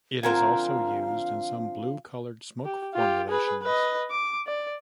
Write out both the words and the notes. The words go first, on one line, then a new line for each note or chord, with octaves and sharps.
It is also used in some blue colored smoke formulations.
D3 F3 C4 A#4 F5 G#5
G4
F4 G4
G#4 B4
B4 D#5
D6
D5